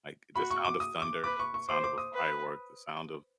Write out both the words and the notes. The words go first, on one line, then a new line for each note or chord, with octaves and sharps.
like, the sound of thunder, the sound of a firework, the sound of
F#4 B5
C#6
D6
D#6
D6
B4 D6
C#6
C#6
C5 D6
D6
D#6
B4